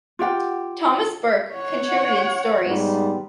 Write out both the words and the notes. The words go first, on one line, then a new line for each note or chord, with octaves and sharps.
Thomas Burke contributed stories.
F4 G4 F#5 G5
C#5 F#5
G#2 G3 B3